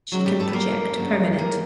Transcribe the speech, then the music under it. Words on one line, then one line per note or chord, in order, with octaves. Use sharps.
She can project per minute.
C3 D#3 F#3 G#3 C#4 F#4
G3 G4
A3 A4
B4
A#3 A#4
F#2 C#3 F#3 A3 D4
A#3 A#4